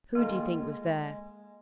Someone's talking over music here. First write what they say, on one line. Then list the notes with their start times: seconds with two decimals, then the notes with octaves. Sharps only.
"Who do you think was there?"
0.15 D#3 G#3 A#3 F4 A4
0.56 G#3